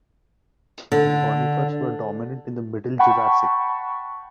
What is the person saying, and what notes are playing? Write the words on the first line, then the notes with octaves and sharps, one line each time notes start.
Conifers were dominant in the Middle Jurassic.
D3
F#5 G5 A5 B5 C#6